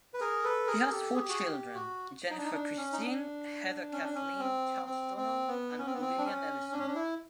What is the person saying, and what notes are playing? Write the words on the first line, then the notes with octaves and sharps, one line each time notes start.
He has four children, Jennifer Christine, Heather Kathleen, Charles Donald, and Lillian Ellison.
B4
G#4 A#4
A4 B4
G#4 A#4
G#4
G4 A4
G#4
G4
F#4 G#4
G4
F#4
D#4
D4
D#4
D4
C#4
D#4
D4
C#4
D4
C#4
C4
C4
C4
B3
C#4
C4
B3
C4
D4
C#4
D4
C#4
D4
E4